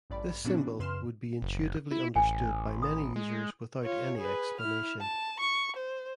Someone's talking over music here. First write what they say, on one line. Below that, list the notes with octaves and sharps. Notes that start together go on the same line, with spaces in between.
This symbol would be intuitively understood by many users without any explanation.
A1 G2 D5 B5
A#2 E3 B3 C#4 D4 F#4
F#2 C#3 B4 C6 F6 E7
F#1
E4
A1 G#5
D#6
G#3
F4 C#5
G#4 B4
E4 F6
A5
C#6
C5